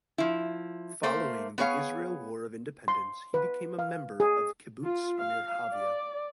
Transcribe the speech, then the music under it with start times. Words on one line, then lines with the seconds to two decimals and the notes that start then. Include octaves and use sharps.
Following the Israel War of Independence, he became a member of Kibbutz Merhavia.
0.18 F3 E4
1.03 A3 A#3 C5
1.58 B3 G#4 C#5 F5
2.88 C6
3.34 B4
3.79 F5
4.20 G#4
4.85 F4
5.22 F5
5.71 D5